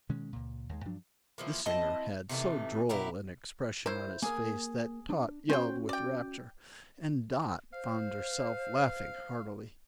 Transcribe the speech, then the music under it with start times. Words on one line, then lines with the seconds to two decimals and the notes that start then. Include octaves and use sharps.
This singer had so droll an expression on his face that Tot yelled with rapture, and Dot found herself laughing heartily.
0.09 B2 D#3 G#3 C#4
0.33 C#2 A#2
0.69 D#2 D#3 G#3
0.85 G2 F3 F#3 D4
1.38 E3 F3 A#3
1.66 C4 E4 D#5 A5
2.29 C3 D#3 E3 A3
2.89 B2 E4 G4 A#5
3.86 E4 A#4 C5 C#5 B5
4.22 A#3 G#4 A#4
5.10 D4
5.50 C#4 F#4 C5 C#5 G5
5.89 D5 G5
7.73 C5 F5